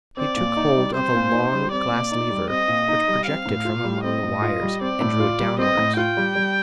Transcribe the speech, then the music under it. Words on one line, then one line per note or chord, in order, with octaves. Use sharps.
He took hold of a long glass lever which projected from among the wires, and drew it downwards.
C4 D5
A#2
D#4
G3
C4 C5
A#2
D#4
G3
C4 D5
A#2
D#4
G3
C4 D#5
A#2
D#4
G3
C4 F5
A2
F4
G3
C4 D#5
A2
F4
G3
C4 D5
A2
F4
G3
C4 D#5
A2
F4 G5
G3
G3